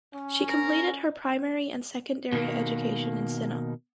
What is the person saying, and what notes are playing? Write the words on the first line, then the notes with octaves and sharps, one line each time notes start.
She completed her primary and secondary education in Sinop.
C#4
A#4
B2 D#3 A#3